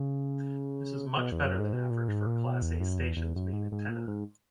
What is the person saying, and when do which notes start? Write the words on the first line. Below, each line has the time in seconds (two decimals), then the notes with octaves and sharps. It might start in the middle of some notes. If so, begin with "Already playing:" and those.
This is much better than average for a Class A station's main antenna.
Already playing: C#3
1.17 B2
1.32 E2
1.45 F#2
1.59 G#2
1.73 B2
1.90 A#2
2.08 G#2
2.27 A#2
2.45 B2
2.62 E2
2.80 F#2
2.99 E2
3.17 E2
3.36 F#2
3.53 G#2
3.72 G#2
3.89 A#2
4.07 G#2